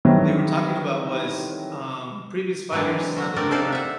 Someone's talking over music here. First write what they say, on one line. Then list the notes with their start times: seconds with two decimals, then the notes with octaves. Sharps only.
they were talking about was, um, previous fighters it's not that they weren't
0.05 D#3 E3 F#3 G3 A3 C4
2.72 E3 F#3 G#3 C4 D4
3.16 F#3 F#4
3.36 A3 C4 D4 A#4 D5
3.51 C3 D#4 A4 C5 D5 F5
3.72 E5 F#5